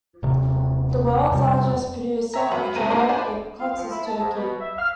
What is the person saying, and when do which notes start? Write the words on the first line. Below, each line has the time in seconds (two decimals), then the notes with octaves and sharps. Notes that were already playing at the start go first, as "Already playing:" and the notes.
The world's largest producer of dried apricots is Turkey.
0.23 D#1 C3
1.32 F2 C3 G3
2.34 C#5 E5 A#5
2.52 F#2 B4
2.75 F#1 C2 G#3 C4 A#5 D#7
2.90 A#3 D4 G4 A#4 C5 D5
3.09 D4 A4 B4 C5 D5 G#5
3.60 F5
3.77 F3
3.91 E4
4.05 A5
4.21 G#2
4.35 B2
4.60 E5
4.79 F6